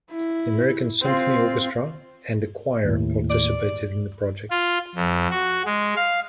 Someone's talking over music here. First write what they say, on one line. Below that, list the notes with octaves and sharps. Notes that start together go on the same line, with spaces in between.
The American Symphony Orchestra and a choir participated in the project.
E4
C4 F4
D#2 A2
D5
F4
F2
F#4
G#3
F5